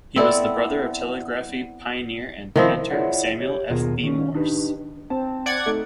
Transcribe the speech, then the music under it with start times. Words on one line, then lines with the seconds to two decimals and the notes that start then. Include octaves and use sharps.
He was the brother of telegraphy pioneer and painter Samuel F. B. Morse.
0.16 B3 C4 E4 A4 D5
2.56 D#3 F3 C4 E4
2.90 E4 F4 G#4 C#5 D5 F#5
3.40 G4 C#5
3.70 D#2 B2 F4 G#4 A#4
4.03 D#3 C#4
4.35 D4 D#4 G4 B4
5.10 C4 A5
5.46 D5 F#5 G#6
5.66 A3 D#4